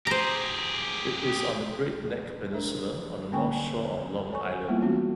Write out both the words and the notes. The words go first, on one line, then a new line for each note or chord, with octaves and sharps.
It is on the Great Neck Peninsula on the North Shore of Long Island.
G4 G#4 C5 A#5
D4 A#4 C5 E5
D3 A#3 C#4 G5 G#5 C#6
A4 C#5 G#5 C#6
C5
G3 G#3 A#3 B3 E4 F4
E3 G#3 C#4 F4 F#4